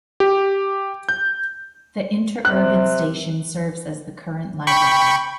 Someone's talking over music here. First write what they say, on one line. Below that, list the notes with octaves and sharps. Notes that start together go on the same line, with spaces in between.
The interurban station serves as the current library.
G4
G6
C3 F#6
G5 B5 C#6